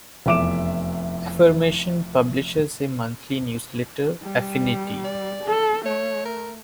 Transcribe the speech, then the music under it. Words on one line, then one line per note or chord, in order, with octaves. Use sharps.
Affirmation publishes a monthly newsletter, "Affinity".
F1 E2 E5 D6 D7 E7
G3
D5
A4
A3 C#5
A#4